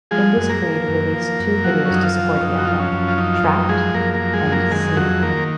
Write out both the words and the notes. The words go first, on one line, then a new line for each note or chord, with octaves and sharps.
Indus Creed released two videos to support the album: "Trapped" and "Sleep".
F3 G#3 G#4
F#2
A#3 A#4
F3
F#2
F3
F#2
F3 F#3 F#4
C#4
F#2 D#4
F3 F4
F3
C#4
F#2 D#4
F#4
F3 F4
D#4
C#4
F#2
F4
F3 D#4
F4
F#2 D#4
F3 G#3 G#4
F#2 A#3 A#4
A#3 A#4
F3
G#3 G#4
F#2
A#3 A#4
D#3 G#3 G#4
F2 F#3 F#4
D#3 A#3 A#4